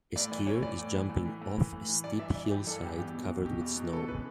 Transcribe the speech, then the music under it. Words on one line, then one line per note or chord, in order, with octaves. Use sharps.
A skier is jumping off a steep hillside covered with snow.
A2 D5
E3 D5
A2 C#5
E3 D5
A2
E3
A2
E3
A2
E3
A2
E3
G2 D5
E3 E5
G2 D5
E3 G4
G2 A4
E3 G4
E2 G4
B2
F#4
E2
B2 G4
E2
B2
E3 A4
C#3 B4